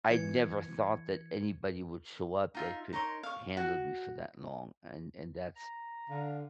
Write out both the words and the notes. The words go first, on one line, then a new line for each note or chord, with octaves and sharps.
I never thought that anybody would show up that could handle me for that long and and that's
E3 G#6 C#7
D#4 F4 E5
D#4 A#4 C#5 C6
F5 C#6
F#4
A#5
D3 F5